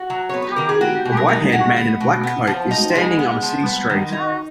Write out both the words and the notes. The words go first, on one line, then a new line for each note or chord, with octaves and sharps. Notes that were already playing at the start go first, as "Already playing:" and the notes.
A whitehaired man in a black coat is standing on a city street.
Already playing: F#4
F#3
B3 C#5
B4
D#3 A#4
G#4
B3 F#4
B2
A#4
D#4
G#3 F#5
B3
B2
B3
F3
D#4
G#3 G#5
B3
F3
B3
D#3
D#4